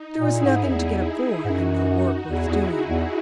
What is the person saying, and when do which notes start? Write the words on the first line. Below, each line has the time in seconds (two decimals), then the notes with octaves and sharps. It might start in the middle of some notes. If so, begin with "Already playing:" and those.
There was nothing to get up for, and no work worth doing.
Already playing: D#4
0.19 A#2
0.32 E4 G#4
0.45 G#2
0.64 F#2
0.71 E2 E4 G#4
1.45 G#2
1.49 F#2 D#4 F#4
2.29 E2 E4 G#4
2.48 E2
2.87 E2